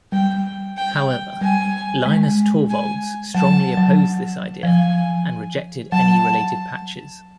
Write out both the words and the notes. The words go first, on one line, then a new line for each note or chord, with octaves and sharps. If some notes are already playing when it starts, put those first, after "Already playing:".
However, Linus Torvalds strongly opposed this idea and rejected any related patches.
G3 G5
G5
G3 G#5
G#3
G#5
F#3 A5
F#3
F3 G#5
F#3 A5